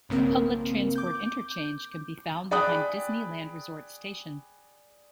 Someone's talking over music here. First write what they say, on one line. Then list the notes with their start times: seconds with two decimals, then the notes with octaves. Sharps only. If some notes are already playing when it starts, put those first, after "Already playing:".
A public transport interchange can be found behind Disneyland Resort Station.
0.09 B1 G2 C#3 A#3 C4 A#4
0.96 D6 G6
2.51 G#4 D5 G5 B5 D#6 F#6